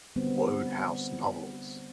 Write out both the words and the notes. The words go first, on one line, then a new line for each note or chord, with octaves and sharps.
Wodehouse novels.
D3 G3 B3 C4